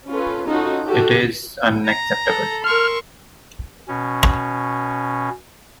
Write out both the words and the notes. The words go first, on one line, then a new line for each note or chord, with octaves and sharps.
It is unacceptable.
C#4 F4 A4 B4
C#4 D#4 F4 F#4 A4
F#4 G4 A4
A#5
A4
A#4 C6 C#6 E6 F6
B2 C#4